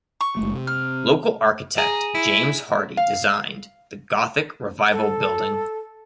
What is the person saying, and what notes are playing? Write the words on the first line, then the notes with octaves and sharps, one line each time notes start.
Local architect James Hardie designed the Gothic Revival building.
C#6
F#1 G#3 A3
C3
F6
G#4 A#5
E4
F5
A4